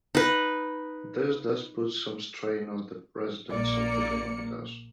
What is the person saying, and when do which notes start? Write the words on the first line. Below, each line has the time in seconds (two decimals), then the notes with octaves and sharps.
This does put some strain on the residents of the Galapagos.
0.15 D#4 B4
3.50 A#1 A#3 D5 C#7